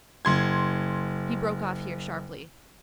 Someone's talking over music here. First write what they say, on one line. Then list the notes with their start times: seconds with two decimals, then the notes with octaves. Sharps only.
He broke off here, sharply.
0.25 F#1 C6 G#6